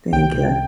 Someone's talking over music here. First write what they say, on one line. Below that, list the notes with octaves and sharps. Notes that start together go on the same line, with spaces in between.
Thank you.
C2 G5
C3